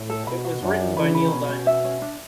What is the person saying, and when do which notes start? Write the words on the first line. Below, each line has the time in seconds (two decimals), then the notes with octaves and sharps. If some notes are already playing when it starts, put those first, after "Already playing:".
It was written by Neil Diamond.
Already playing: A2
0.10 A4
0.27 B2 B5
0.45 F#4
0.61 F#2 D4
0.79 D4
0.96 C#3 E3 B5
1.15 B4
1.31 B2 C#4
1.49 C#4
1.67 E5
1.84 C#4
2.02 D4